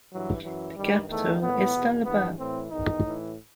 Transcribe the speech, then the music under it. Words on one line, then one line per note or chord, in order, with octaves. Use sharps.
The capital is Dalaba.
G2 E3 F#3
F#2 E3 F#3
G2 D#3 G3
E2 D#3 A3
A2 E3 B3
E2 B2
G2 E3 B3
A2 E3 C4
E2 D#3 D#4
A2 E3